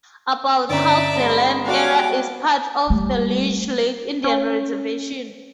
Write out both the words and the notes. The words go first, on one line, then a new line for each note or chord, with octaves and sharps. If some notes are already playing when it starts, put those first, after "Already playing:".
About half the land area is part of the Leech Lake Indian Reservation.
G1 C#4 D5 E5 A#5
G#3 B3
G3 F#4 A4 F5 D6
G3 A3
C#4